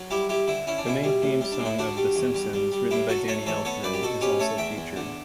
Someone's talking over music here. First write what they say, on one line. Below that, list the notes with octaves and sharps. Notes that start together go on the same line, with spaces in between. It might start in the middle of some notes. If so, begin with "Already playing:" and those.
The main theme song of "The Simpsons", written by Danny Elfman, is also featured.
Already playing: F#3
G3 E4 G4
G3 E4 G4
D3 E4
C#4 E4
D4
B2 E4
G3
A2
G3
D4
A2
E4
D3 D4 F#4
G3
E2
G3
G3
G3
A2 E4 G4
F#3 F#4 A4
A3 A4 C#5
E3 A4 C#5
B3 A4 C#5
F#2 B4 D5
G4
B2 F#4 A4
C#4 G4 B4
A3 A4 C#5
E2 E5 G5
E2
D3